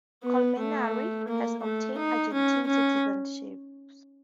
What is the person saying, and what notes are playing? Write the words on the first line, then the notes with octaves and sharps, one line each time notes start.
Colmenares has obtained Argentine citizenship.
B3
A3
A#3
A3
D#4
C#4
C#4